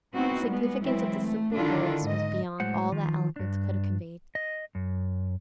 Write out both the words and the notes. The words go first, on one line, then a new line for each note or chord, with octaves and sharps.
The significance of the simple words was beyond all that eloquence could have conveyed.
B3 C4 D#4 E4 F#4
G3 G#3 B3
E3 F#3 G#3 C4 E4
A3
D3 D#3 D4 E4 F4 A4
G#2 D#5
A2 F#3 G#3 C5 F#5
D#3 F3
G2 D4
D#5
F#2